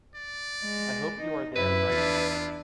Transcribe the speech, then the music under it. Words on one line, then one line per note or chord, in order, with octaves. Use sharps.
I hope you are there right now.
D5
G#3
D#4
F#2 E4 B4
E2 D4 F4